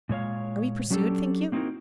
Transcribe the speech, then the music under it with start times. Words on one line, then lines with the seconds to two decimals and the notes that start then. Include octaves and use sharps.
Are we pursued, think you?
0.09 A#2 G#3 C#5 F5
0.90 F#3 C#4 D4 G4 A4
1.52 A#3 C4 D#4 E4 F#4 A#4